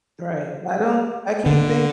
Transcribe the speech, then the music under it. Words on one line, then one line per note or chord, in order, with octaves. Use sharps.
Right, I don't I can't think
D3